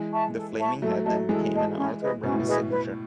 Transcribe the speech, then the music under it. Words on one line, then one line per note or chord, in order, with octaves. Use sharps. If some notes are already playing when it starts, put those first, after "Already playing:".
The flaming head then became an Arthur Brown signature.
Already playing: E3 G#3
E5 A5 C#6
A4
E5 A5 C#6
F#3 A3 A4
F#3 A3 D#5 A5
E3 G#3 A4
D#5 A5
C#4
G#4 B4 D#5
B2 C#4
A2
B2
G#4 B4 D#5
B4